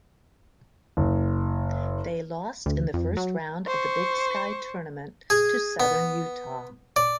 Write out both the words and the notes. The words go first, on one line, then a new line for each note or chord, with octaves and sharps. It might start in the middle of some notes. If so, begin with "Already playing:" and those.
They lost in the first round of the Big Sky Tournament to Southern Utah.
F#1
D2
F2
F#3
C5 C#6
G#4
B3
D5